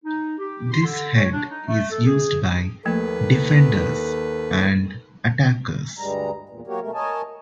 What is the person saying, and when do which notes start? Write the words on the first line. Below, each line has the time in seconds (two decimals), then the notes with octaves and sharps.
This head is used by 'defenders' and 'attackers'.
0.04 D#4
0.38 G4
0.72 C6
0.84 D3
1.15 C#5
1.32 D4
1.49 D#4
1.67 A3
1.90 A4
2.04 G#4
2.85 D#2 D#3 F3 A3 A#3 A4 B4
5.99 D2 G2 G3 G#3 A#5
6.49 E2 A#2
6.67 F#3 A#3 F#4 G4 A#4 C#5
6.81 B2 G#3 A3 A#4
6.94 A#4 C#5 D#5 G#5 A5